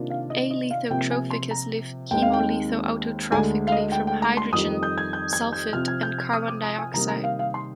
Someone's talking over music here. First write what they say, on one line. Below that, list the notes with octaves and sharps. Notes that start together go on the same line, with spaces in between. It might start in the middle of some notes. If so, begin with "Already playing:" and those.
A. lithotrophicus live chemolitho-autotrophically from hydrogen, sulfate and carbon dioxide.
Already playing: C3 D#3 A#3 D4 F4
F5
D#5
D#5
F5
C3 F3 A#3 G5
G#5
C6
A#5
D#2 D#3 G#3 C4 G5
F5
G5
D2 D3 G#3 G#5
F5
D#5
G5
G5
A#5
C6
F2 D#3 G3 D#6
G6
G#6
G6
G#6
G6
C3 F3 C4 F6
G#6
G6
F6
D#6
D6
A#5
G#5
C3 D#3 G3 A#3 D#4 A#5
A#5
F5
F5
C6